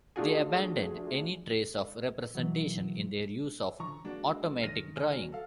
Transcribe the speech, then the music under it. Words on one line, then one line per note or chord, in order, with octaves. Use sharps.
They abandoned any trace of representation in their use of automatic drawing.
A3 D4 F4 F#4 G#4
B2 E3 F#3
D3 F3 A#5 C#6
G#3 A#3 D4 F#4
C#2 D#3 F6 A#6 D#7
G#5 F6
F#3
A4 F5